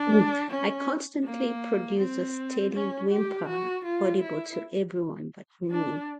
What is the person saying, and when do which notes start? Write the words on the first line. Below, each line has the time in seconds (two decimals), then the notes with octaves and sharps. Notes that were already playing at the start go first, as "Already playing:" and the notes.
I constantly produce a steady whimper audible to everyone but me.
Already playing: D4
0.50 C#4
1.25 A#3
1.99 C4
2.73 C#4
3.11 G4
3.48 F#4
3.85 F4
4.22 E4
5.71 D4